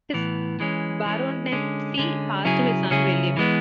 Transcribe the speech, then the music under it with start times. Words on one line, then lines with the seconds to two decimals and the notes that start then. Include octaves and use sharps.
His baronetcy passed to his son William.
0.14 A2 E3 B3
0.60 E3 G#3 C#4
1.06 E3 G#3 C#4
1.52 D3 G#3 C#4
1.98 D3 G#3 C#4
2.45 C#3 F#3 C#4 E4 G#4
2.91 C#3 F#3 C#4 E4 G#4
3.37 E3 G#3 B3